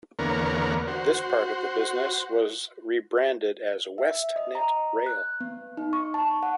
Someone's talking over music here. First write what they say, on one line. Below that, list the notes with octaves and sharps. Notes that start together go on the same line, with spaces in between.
This part of the business was rebranded as WestNet Rail.
E2 D3 A#3 B3 A#4 C#5
F#4 C5
E5
D#5
A#5
F#6
B3
D#4
C#6
A5
F#5